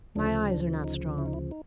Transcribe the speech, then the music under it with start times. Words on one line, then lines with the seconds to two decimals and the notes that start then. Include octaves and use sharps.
"My eyes are not strong."
0.16 D2 C#3 F3 D4
0.50 D4
0.84 D#4
1.18 E4
1.26 D#4
1.33 E4
1.51 D#4